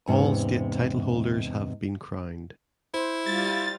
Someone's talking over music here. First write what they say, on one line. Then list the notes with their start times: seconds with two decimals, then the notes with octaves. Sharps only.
All state titleholders have been crowned.
0.07 E2 G#2 C3 C#4
2.94 E4 C5
3.26 G3 F4 A6